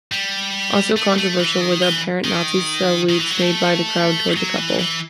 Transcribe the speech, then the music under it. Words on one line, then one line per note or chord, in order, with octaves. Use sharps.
Also controversial were the apparent Nazi salutes made by the crowd toward the couple.
G3
A3
A3
E3
D#3
E3
D#3
D#3
E3
F#3
A3
F#3
E3
E3